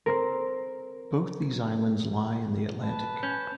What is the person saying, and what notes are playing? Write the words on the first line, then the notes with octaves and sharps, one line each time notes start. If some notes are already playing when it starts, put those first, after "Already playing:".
Both these islands lie in the Atlantic.
C4 A#4
B4 A5
C#4 G6